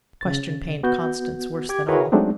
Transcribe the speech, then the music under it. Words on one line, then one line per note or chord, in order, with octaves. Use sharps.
The question pained Constance worse than all.
C#3 A6
B3 F#4 G6
G4 D6 G#6
E4 F#4 G#4 A#4 B4 C#5
F#3 G#3 A3 C4 D4 D#4